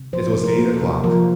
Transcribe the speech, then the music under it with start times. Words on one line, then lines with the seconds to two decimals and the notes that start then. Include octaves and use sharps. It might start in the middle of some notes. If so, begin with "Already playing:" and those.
It was eight o'clock.
Already playing: C3
0.13 F3 C5
0.35 C3
0.44 A#4
0.58 A#3
0.73 A4
0.81 C3
1.04 F3 A#4